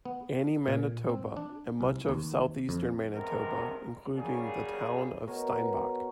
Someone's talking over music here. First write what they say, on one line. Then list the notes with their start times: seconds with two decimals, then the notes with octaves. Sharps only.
Anne, Manitoba and much of southeastern Manitoba, including the town of Steinbach.
0.05 B3
0.68 A#2
1.09 C4
1.37 D4
1.81 C2
2.09 D#2
2.69 F2
3.14 G2 C3 G#3 B3 A#4
4.16 C#3 F#3 G3 A#3 C#4 G#4
5.27 B2 A#4 C#5